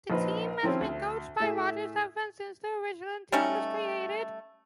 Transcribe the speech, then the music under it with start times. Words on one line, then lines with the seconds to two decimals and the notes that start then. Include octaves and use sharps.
The team has been coached by Roger Stephens since the Richland team was created.
0.10 A#1 F3 D#4 B4
0.63 D#3 F3 C4 C#4 E4
0.81 D2
1.40 A2 A3 G#4 E5
3.32 G3 A3 C#4 D#4